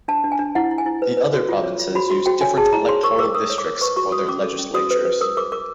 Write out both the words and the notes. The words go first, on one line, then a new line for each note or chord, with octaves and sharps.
The other provinces use different electoral districts for their legislatures.
D4 A5
D4
G#5
D4
E4 F#5
E4
G#5
E4
B4
B4
F#4
F4
C#5
F4
F#4 B5
F#4 C6
F#4 G5
C#5 G#5
G#4 A5
E4 A#5
C#5 C6
A#4 C#6
A#4 D6
A#4 D#6
C#5
D6
A#4
B4 C#6
F#4 C#6
F#4 D#6
C#4 D6
A4
C#4
F#4 D#6
B4
B4
A#4 D#6
A#4 D6
A#4 D6